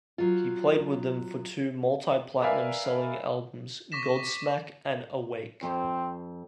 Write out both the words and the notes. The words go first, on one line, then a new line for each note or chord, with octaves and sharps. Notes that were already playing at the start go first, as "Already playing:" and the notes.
He played with them for two multi-platinum selling albums, "Godsmack" and "Awake".
F#3 F4
A#4 B4 D5 E5 F5 G#5
C#6 D6 A#6 B6 E7
F2 C4